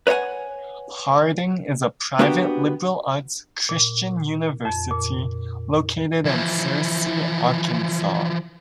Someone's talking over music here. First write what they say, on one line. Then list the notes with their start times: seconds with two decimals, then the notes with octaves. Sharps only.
Harding is a private liberal arts Christian university located in Searcy, Arkansas.
0.07 B4 C#5 D#5 F#5 G#5
2.19 A#3 B3 D4 F#4 G4 G5
3.69 A#2
4.65 F2
4.91 A#2
6.25 E3 F3